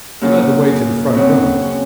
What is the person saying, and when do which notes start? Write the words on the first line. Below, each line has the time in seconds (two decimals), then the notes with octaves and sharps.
He led the way to the front room.
0.21 F#2 C#3 F#3 A#3
1.14 F#2 C#3 F#3 C4
1.62 C#4